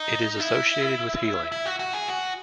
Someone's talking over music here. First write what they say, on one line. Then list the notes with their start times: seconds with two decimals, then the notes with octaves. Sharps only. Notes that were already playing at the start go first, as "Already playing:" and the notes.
It is associated with healing.
Already playing: D#4
0.40 E4
1.52 E4
1.66 F#4
1.79 F#4
1.94 G#4
2.08 F#4